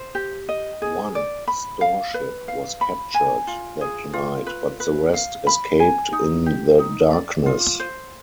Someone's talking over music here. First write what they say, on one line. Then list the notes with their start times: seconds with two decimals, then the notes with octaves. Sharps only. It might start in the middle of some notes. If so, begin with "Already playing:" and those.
One storeship was captured that night, but the rest escaped in the darkness.
Already playing: C5
0.15 G4
0.49 D#5
0.82 G#4
1.15 D5
1.48 B5
1.81 F5
2.14 B4
2.48 F5
2.81 B5
3.14 G#5
3.47 F4
3.81 G#4
4.13 F4
4.47 B4
4.80 B4
5.14 F5
5.47 B5
5.80 G#5
6.13 D#4
6.46 G4
6.79 D#4
7.13 D5
7.46 F4
7.80 C5